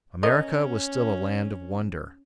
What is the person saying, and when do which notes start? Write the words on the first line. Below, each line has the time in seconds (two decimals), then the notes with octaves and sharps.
America was still a land of wonder.
0.23 C#4 A#4 D#5